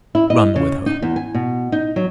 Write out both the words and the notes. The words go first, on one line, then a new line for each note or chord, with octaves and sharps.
Run with her.
E4
D#5
C#3
D#4
E2
G#5
B2
D#4
F#3